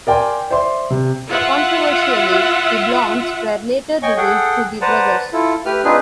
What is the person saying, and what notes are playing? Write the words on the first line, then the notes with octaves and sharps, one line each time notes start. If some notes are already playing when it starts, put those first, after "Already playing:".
Controversially, the Blondes were later revealed to be brothers.
A#4 D5 G5 G#5 C6
C5 D5 E5 C6
C3
F4 E5 F#5
C#5 D#5 G5 G#5 C#6
G#4 A4 F#5 G5
B4 C5 D5 F#5 A5 A#5
E4 F4 A4
A3 G4 B4 F6
C4 D4 D#4 F4 G#4 B4